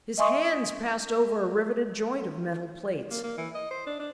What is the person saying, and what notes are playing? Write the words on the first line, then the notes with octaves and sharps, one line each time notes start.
His hands passed over a riveted joint of metal plates.
D#5 E5 G#5 C6 C#6 D#6
A#3
A#3
E3
D#5
C5
D4
D4